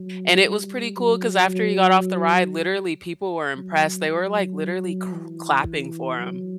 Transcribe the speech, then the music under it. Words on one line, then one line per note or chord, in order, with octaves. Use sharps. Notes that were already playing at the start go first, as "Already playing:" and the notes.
And it was pretty cool, 'cause after he got off the ride, literally, people were impressed. They were, like, literally c clapping for him.
Already playing: F#3
G3
F#3
F#3
F#3
F#3
E3
F#3